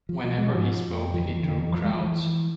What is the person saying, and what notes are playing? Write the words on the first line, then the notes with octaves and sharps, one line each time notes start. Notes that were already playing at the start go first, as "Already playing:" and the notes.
Whenever he spoke, he drew crowds.
F3
B2 F3
B2 G#3
G#2 F3
F2
F3
E3
F2 D3
F2 E3
F3
G#3
F3
E3